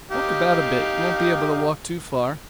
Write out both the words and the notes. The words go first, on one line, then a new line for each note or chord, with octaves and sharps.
Walk about a bit, you won't be able to walk too far.
D#4 G4 F5